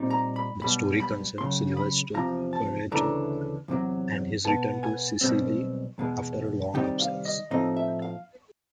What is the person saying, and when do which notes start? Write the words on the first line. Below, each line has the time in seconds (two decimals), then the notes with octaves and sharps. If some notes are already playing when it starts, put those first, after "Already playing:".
The story concerns Silvestro Ferrauto and his return to Sicily after a long absence.
Already playing: A#2 G3 C4 D#4
0.10 A#5
0.36 B5
0.61 B1 B2 G3 B5
1.00 B5
1.38 F#2 C#3 F#3 C6
1.77 B5
2.14 E2 C3 F3 A#5
2.53 A5
2.91 D2 C#3 E3 A3 D4 A#5
3.68 E2 C3 D#3 F#3
4.45 B2 G#3 B3 A5
4.83 G#5
5.21 B1 B2 G3 C4
5.98 E2 B2 G#3
6.74 C3 D#3 G3 C4 D#4 G5
7.00 F5
7.25 D#5
7.50 A2 F3 A3 C4 D#4 D#5
7.77 E5
8.02 F5